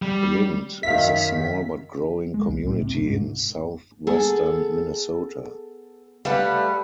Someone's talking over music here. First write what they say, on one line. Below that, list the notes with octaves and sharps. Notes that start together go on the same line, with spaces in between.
Lynd is a small but growing community in southwestern Minnesota.
G3
F#2 D#3 E5 F5 B6
G#3
C2
A2
C3
G2
G#2
B3 G#4 A4
G3 A3 B4 F5 F#5